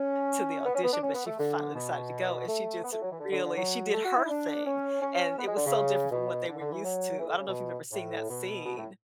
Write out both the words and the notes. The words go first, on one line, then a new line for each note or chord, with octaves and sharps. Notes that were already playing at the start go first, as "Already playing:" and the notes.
to the audition, but she finally decided to go, and she just really she did her thing, and it was so different from what they were used to, I don't know if you've ever seen that scene,
Already playing: C#4
B3
C#4
B3
D4
C#4
B3
A3
D3
B2
A3
B3
A3
F#3
E3
D3
D3
D3
F#3
A3
F#4
E4
D4
C#4
C#4
B3
G#3
D3
C#3
B2
D3
D3
E3
F#3
E3
D3
C#3
B2
A2
B2
B2
A2